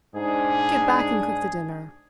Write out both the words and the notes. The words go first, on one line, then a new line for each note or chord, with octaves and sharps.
Get back and cook the dinner.
G#2 D4 G#4